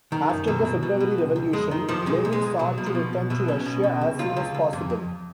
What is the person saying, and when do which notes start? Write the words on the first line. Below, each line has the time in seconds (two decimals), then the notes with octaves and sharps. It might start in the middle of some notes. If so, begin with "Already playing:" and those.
After the February Revolution Lenin sought to return to Russia as soon as possible.
0.12 D#3
0.29 F#2
0.47 B2 F#3
0.65 B2
0.83 B2
1.00 B2
1.18 C#2
1.36 C#2
1.53 F2 G#3
1.71 D#3
1.89 F2 F3
2.06 B1 G#3
2.25 B1
2.33 G#3
2.43 B1
2.59 B1 F#3
2.78 B2
2.86 F3
2.95 B2
3.13 B2
3.30 B2 F#3
3.48 B1 C#4
3.66 B2
3.84 B2
4.01 C#2
4.19 C#2 F4
4.37 C#2
4.54 C#2
4.73 F2
4.90 F2